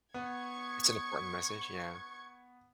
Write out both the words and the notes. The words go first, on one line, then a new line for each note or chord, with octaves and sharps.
It's an important message, yeah.
B3 C#6 G#6